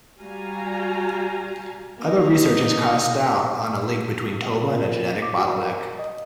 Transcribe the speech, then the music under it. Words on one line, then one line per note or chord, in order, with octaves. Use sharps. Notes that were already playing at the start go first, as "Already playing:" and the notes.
Other research has cast doubt on a link between Toba and a genetic bottleneck.
G3 F#4 F5 G#5 A#5
A#3 D#4
A#2
D6
F#4
A#4
D#5